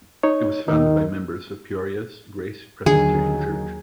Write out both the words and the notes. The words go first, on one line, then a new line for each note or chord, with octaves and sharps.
It was founded by members of Peoria's Grace Presbyterian Church.
D#4 C#5
D#2 D#3 D#4
D#2 D3 D#3 F#3 D4 G#4